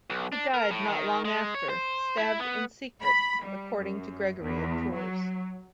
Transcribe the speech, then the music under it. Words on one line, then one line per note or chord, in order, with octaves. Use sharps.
He died not long after, stabbed in secret according to Gregory of Tours.
B1
D4
A#4
A2
D#3
G#3
C#5
C5
E4
B3
B5
G3
F#2
E2
F#3